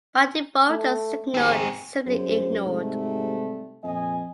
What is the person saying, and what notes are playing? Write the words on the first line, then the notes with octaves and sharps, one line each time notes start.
By default the signal is simply ignored.
A3
D#2 C4 G#4
G1 F#2 G#4 C5
G#2 C3 G3 A3
F2 A#2 D#5 G#5